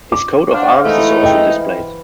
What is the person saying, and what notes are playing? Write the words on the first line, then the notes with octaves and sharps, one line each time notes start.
His coat of arms is also displayed.
D6
D4 C5 F5 F#5
E3 G#3 A3 D#4
D#5 G5